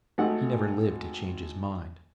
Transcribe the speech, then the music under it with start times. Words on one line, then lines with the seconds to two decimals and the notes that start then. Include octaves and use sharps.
He never lived to change his mind.
0.18 G#1 A3 D#4 F#5